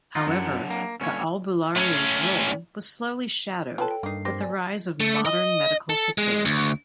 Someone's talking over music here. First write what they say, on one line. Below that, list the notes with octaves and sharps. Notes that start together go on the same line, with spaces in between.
However, the albularyo's role was slowly shadowed with the rise of modern medical facilities.
D#4 F4 F#4
F#2 F#3 D4 F#5
A#3
G2 A#2 D3 C#4 C#5
A2 C#4
F4 A4 B4 C#5 G5 A5
G5
G2 A#3 D#4 C7
A#3 C4 G4 A#6
D5 G#5
A3
D#5
A4
G#3
D2